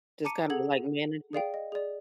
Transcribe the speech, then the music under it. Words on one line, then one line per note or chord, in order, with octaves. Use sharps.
just kinda, like, manage it.
A5 A#5 D6 C#7 D#7
G#4 A4 F#5 G#6 F#7
G#4 D5 F5 G5
D#5
G#4 D5